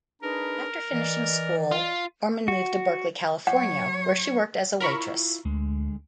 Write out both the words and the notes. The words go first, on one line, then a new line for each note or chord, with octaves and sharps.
After finishing school, Orman moved to Berkeley, California, where she worked as a waitress.
D4 D#4 G#4 A#4 B4
E3 D5 D#5
F4
F#4
F#3 C#5 F#5
E4 F4 A#4 B5 C#6
D2 D3 G#3